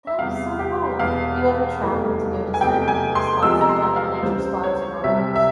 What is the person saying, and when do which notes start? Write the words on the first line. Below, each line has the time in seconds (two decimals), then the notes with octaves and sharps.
That is so cool. Do you ever travel to go to certain, eh, spots like that, like nature spots or gardens?
0.07 E5
0.19 E2 C3 G3 F5
0.59 G4
0.99 E1 E2 E3 F5
1.80 F1 E2 E3 G3
2.54 G#5
2.61 F1 E2 C3 G5
2.88 G#5
3.15 C6
3.42 E2 C3 F3 G#3 E6
3.61 A#5
3.69 C6
3.96 F5
4.23 C#2 C#3 E3 G3 C5
4.64 C#5
5.04 C2 C3 G3 E5
5.36 E5